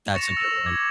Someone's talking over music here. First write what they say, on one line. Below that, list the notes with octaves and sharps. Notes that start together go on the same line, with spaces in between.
That's a good one.
C#6 A6 A#6 C#7 E7 F7
C#6 E6
D6 G#6